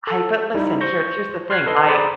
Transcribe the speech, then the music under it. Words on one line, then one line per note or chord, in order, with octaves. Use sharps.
I but listen, here here's the thing. I
A4
G3 D#4 E4
C5 C#6 G6 A#6
C6 F6 F#6 G#6 C7
A4 B4 D#5 C6
G#4 C5 D5 A#5 B5 D#6